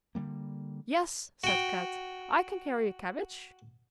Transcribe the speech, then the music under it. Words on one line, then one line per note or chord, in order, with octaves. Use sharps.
"Yes," said Kat, "I can carry a cabbage."
D3 F#3 G3 A#3
F#4 G5